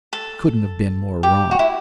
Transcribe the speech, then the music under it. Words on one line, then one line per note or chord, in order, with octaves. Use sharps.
He couldn't have been more wrong.
A4
G4
F#4
E4